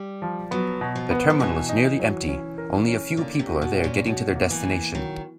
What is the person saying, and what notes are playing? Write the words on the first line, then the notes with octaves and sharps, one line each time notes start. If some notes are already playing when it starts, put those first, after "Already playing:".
The terminal is nearly empty, only a few people are there getting to their destination.
Already playing: G3
F3
F#3 B3
B2
F3
B3
F3
B2 E3
D#4
F#3
C#4
A#4
C#4
D3 A#3
C3
F#4
B2
C#4
A#2
B2 F#3
A#3
E3
A#3
D#3 F#3